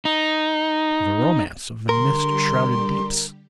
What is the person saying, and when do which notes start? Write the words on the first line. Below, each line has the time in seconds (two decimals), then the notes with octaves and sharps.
The romance of the mist-shrouded deeps.
0.05 D#4
1.89 D3 G3 G4 A#4 C6